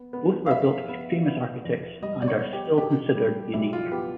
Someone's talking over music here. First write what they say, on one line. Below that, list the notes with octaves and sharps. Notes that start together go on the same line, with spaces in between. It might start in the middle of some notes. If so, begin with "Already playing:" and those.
Both were built by famous architects and are still considered unique.
Already playing: B3
B3
F5
B3 E5
B3
B3
E2
G3 D#5
D5
C#5
B3
G4
B2 G4
G3
B1 E4
F4
B3 G4